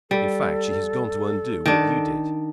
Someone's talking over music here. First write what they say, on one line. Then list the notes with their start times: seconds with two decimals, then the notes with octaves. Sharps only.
In fact she has gone to undo what you did.
0.11 G3 A4
1.66 D#3 D4